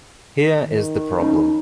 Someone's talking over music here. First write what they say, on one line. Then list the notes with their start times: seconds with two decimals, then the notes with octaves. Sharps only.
Here is the problem.
0.59 D#3
1.20 C#4 D#4